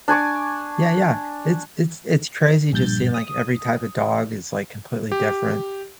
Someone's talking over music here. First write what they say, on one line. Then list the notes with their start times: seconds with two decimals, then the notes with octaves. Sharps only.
Yeah, yeah. It's it's it's crazy just seeing, like, every type of dog is, like, completely different
0.08 D4 G#5 C#6 D6
2.73 A#1 G2 G6 A6
3.14 D#6
5.12 G4